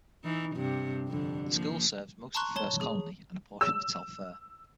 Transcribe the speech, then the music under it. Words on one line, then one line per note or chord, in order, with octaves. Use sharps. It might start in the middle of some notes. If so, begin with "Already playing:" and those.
The school serves most of First Colony, and a portion of Telfair.
E3 D#4
G2 C3
F2 D3
F3 A#3
A5 A#5 C6 C#6 F#6
C#5 A5 G7
G#4
E6